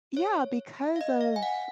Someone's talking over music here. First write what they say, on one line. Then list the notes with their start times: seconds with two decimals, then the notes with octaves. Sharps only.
Yeah, because of
0.17 C#5
0.96 F5
1.01 D#5
1.21 F5
1.36 G#5
1.43 F#5